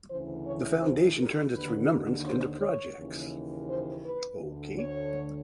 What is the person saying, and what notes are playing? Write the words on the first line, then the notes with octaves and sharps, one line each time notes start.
The Fondation turns its remembrance into projects.
D2 C#3 E3 C5
C#5
C5
A#4
D#2 D3 B4
C5
C#5
D#2 C#3 E3
C5
B4
D2 D3
C#5